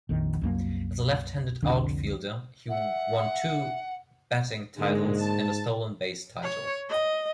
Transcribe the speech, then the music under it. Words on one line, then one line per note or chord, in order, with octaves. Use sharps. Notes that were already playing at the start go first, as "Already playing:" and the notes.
As a left-handed outfielder, he won two batting titles and a stolen base title.
A#1 F2 D#3
C2 F#2 A#3
C2 F2 D3 D4
E5 F#5
G#2 D3 G#3 A#3
A5
C#5
D#5